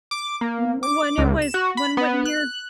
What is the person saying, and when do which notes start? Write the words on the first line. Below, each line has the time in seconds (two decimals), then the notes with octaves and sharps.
When it was when what year?
0.11 D6
0.41 A#3
0.83 D6
1.18 C#2
1.42 E7
1.54 F#4
1.77 B5
1.97 B3
2.25 F#6